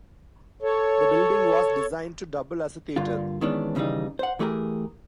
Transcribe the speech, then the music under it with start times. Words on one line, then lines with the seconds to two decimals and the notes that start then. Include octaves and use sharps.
The building was designed to double as a theatre.
0.62 A4 C#5
2.96 G2 D3 A#3 F4
3.41 D#3 E3 G#3 B3 C#4 D4
3.75 D#2 C#3 E3 G3 D#4
4.19 C5 F#5
4.39 E3 A3 G4 G#4 A#4